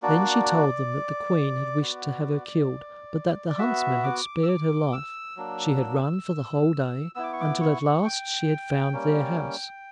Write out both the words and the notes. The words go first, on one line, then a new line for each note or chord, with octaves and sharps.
Then she told them that the Queen had wished to have her killed, but that the huntsman had spared her life; she had run for the whole day, until at last she had found their house.
A#3 D4 F#4 D5
B3 F#4
D5
B3 F#4 E5
D6
E6
D6
E6
F#3 A#3 D4
B3 E4 E6
D6
C#6
D6
C#6
G5
G3 A#3 C#4